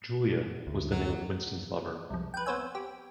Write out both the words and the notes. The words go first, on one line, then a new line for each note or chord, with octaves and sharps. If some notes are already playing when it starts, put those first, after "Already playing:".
"Julia" was the name of Winston's lover.
D2
F#3
C2 F2
B4 G5
B3 C4 C5 C#5 E5 G#5
G4